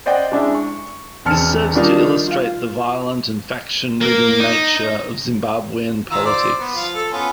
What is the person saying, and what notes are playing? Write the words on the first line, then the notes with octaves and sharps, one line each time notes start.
This serves to illustrate the violent and faction ridden nature of Zimbabwean politics.
C5 D5 D#5 F#5 G5
G#3 D4 E4
C#6
E1 C4 A5 F6 C#7
D#3 F3 G3 D4 D#4 F4
F4 F5
A#3
D#4
D#3 F4 E6
C5 D5
B3
F3 F5
A4
B3 C#4 F4